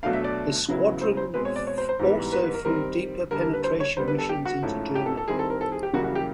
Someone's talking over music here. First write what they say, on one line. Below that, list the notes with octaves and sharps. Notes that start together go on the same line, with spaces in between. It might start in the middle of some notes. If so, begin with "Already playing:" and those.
The squadron also flew deeper penetration missions into Germany.
B2 F#3 A3 D4 F5
E5
D5
C#3 F#3 B3 E4
C5
C5
B2 G#3 C4 B4
C#5
D5
C#5
C5
C5
G#2 E3 G3 B3
B4
B4
A#4
D#3 G3 C4 A#4
D3 G3 A#3 D4 A#4
A#4
B4
C5
C#5
D3 G3 B3 C5
B4
A4
G4
F#4
G#2 F3 A3 C#4 E4
G4
A4
A4
D#3 G3 C4 E4 G#4
A4
A#4
A4
G#4
G4
F#2 C#3 E3 G3 A#3 F#4
F#4
G4